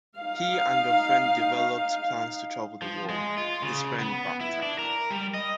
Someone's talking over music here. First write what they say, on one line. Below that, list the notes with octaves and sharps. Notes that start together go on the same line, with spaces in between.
He and a friend developed plans to travel the world; his friend backed out.
D#4 F5
F3
G#3
F4
C#3
B3
E4
D4
A#4
G3
D#5